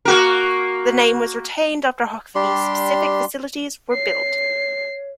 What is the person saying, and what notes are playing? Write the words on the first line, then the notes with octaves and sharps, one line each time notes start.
The name was retained after hockey-specific facilities were built.
A#3 F#4 A#4
G3 D4 G4 C6
C#5 C7